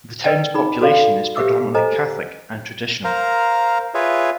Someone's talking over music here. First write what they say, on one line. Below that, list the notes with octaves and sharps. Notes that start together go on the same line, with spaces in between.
The town's population is predominantly Catholic and traditional.
A#4 B4 D5 D#5 G5
D#4 G#4 B5
F#4 A4 D5 F5
G4 B4 E5 D6 E6
A4 C5 D#5 G#5 A#5
A#4 C5 F5 A#5
F4 G#4 B4 C#5 E5